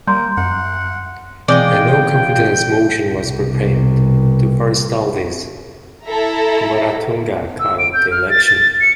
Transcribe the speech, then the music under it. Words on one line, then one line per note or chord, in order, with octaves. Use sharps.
A no-confidence motion was prepared; to forestall this, Kumaratunga called the election.
G3 A#3 A#5 C6 G6
F#2 F#5
B2 E3 G#3 C4 F4 D5 D#5 G5
C2 B2
E4 A4 E5 A#5
E6
D7
G6
F6
A6
A6
C#7